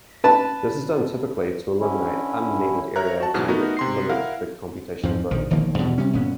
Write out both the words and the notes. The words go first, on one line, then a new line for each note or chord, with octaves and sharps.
This is done typically to eliminate unneeded area to limit the computational burden.
B4 A5
D3 C#4 E4
A#4 C#5 E5 A#5 F#6
F#4 A5
G#2 B2 E3 F#3 G#4 F6
A3 B3 D#4 F#4 A#4
C3 C6 C7
E4 A#4 F5 F#5
F2 G#2 F3
A#1 D#3 F3
E1 D#3 F3 A#3
E2 G2 B2
C3 G3 C#4
G1 A#2 B3 C#4